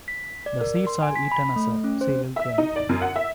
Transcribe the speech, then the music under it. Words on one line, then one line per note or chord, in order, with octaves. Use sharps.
The seeds are eaten as a cereal grain.
B6
D5
A#4
C6
G#5
B6
B5
A3
C#4
C5
E5
D#4
D5
F#2
F#5
E5